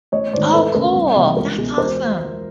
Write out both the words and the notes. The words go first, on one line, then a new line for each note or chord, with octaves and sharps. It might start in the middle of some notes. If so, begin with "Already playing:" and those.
Oh, cool! That's awesome.
A1 C#5 D#5
G#2 D#3 C5 D5
E1 A4 B4
D2 C#3 A#4
C2
C3 E3 G3 A#3
C#2 A#4
B2 G#3
E1 A#4 C5